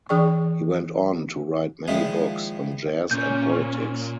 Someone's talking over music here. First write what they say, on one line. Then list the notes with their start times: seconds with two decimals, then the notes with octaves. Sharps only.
He went on to write many books on jazz and politics.
0.09 E3 D4 G#4 D5 G5 C#6
1.88 A#2 D#3 F3 G#3 E4
3.11 A#2 C#4 G6